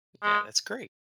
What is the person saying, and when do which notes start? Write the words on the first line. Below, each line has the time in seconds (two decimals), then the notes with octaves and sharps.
yeah, that's great.
0.23 G#3